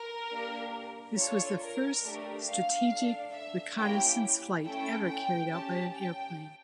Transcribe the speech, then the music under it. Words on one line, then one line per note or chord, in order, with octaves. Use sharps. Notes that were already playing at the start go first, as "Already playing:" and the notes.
This was the first strategic reconnaissance flight ever carried out by an airplane.
Already playing: A#4
A#3 D4 G4
D4 F4 A4 C#5
A#4
A3 D4 G4
F5
D4 A4
E5
A#3 C#4 E4 G4 G5
A3 C#4 E4 A4 G5
G5
C#4 G4 A5
G5